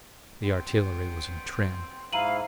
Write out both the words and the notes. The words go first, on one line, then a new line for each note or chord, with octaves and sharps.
The artillery was in trim.
B3 G5 C6
G#2 E4 F5 A#5 D#7 F#7